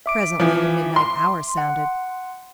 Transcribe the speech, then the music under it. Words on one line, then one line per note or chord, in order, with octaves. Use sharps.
Presently the midnight hour sounded.
E5 D6 D7
E3 F3
C6
F#5